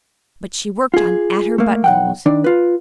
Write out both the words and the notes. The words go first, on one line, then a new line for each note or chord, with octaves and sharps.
But she worked on at her buttonholes.
F4 G#4
A3 A#3
B1 F#5 G5
D#3 D4 D5
F4 B4